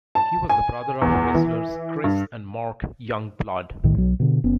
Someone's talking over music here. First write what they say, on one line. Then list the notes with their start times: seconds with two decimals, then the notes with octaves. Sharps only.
He was the brother of wrestlers Chris and Mark Youngblood.
0.15 A5
0.49 G#5
1.02 E2
1.35 E3
2.04 G2
3.83 B1 A2 D#3
3.97 B1 F#3
4.20 B2 D3
4.44 F#1 B3 C#4